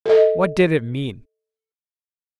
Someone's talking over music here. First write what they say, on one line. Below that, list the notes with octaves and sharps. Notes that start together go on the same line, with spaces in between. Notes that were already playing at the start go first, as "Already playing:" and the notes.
What did it mean?
A4 D#5